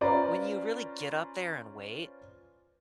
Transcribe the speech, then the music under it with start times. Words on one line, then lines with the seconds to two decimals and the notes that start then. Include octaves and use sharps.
when you really get up there in weight,
0.01 C#4 F4 B4 C5 D5 A#5